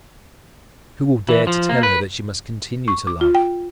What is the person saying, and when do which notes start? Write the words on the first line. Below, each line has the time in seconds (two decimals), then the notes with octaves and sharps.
Who will dare to tell her that she must continue to love?
1.29 E3
1.47 F3
1.69 A#3
1.83 B4
2.88 C#6
3.07 D6
3.21 F4
3.35 G5